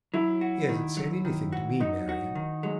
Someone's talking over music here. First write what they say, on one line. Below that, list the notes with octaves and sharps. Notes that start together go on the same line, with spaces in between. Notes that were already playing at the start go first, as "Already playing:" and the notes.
'He hasn't said anything to me, Marian.'
F#3 E4
F#4
D#3
F#3
D#3
F#4
F#3 D#4
F#4
D#3
F#3 G#3